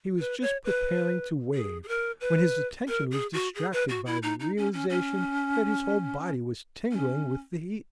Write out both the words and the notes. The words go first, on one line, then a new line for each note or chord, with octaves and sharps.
He was just preparing to wave when his attention was distracted by the realization that his whole body was tingling with the heat.
B4
C#5
B4
G#4
G#4
A#4
B4
A#4
G#4
F#4
G#4
B4
F#4
E4
D#4
D#4
C#4
C#4
C#4
C#4